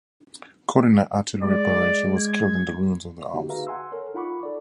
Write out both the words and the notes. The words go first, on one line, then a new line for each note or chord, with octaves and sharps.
Caught in an artillery barrage, he was killed in the ruins of the house.
G#3 D5
G#6
D3 A#3 D#4 F#4 G4
F#4 G#4 B4 E5 F5 A#5
F#5 G#5 C6 E6
A4 A#4 C#5
D#4 F4 F#5 B5 C#6 D6
A4 D5